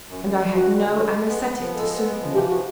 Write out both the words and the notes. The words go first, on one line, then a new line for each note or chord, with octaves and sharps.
And I had no anaesthetic to soothe me.
F#2
F#2
G3
F#2 F#4
G3
D3
F#2
G#3
B3
B3
F3
G#3 A4
B3
G#3
F3
E3 G4
G4
E3 F#4